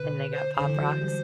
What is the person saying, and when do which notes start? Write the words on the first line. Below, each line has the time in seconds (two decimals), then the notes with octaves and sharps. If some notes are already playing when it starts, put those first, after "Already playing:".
And they got Pop Rocks.
Already playing: B2 D3 B4
0.32 C5
0.54 D3 C5
0.67 E3
0.77 F#3
0.99 G3